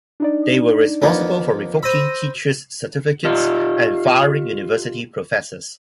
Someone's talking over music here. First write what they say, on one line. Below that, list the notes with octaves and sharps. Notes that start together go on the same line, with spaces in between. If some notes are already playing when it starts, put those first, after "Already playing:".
They were responsible for revoking teachers' certificates and firing university professors.
D4 D#4 D5
F2 A#3 B3
C5 B5 E6 A#6 D#7
F4 G4 D#5